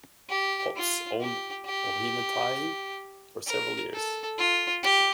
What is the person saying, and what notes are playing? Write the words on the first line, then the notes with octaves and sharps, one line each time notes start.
Potts owned Ohinetahi for several years.
G4
F4
G4
G4
A#4
A4
F4
G4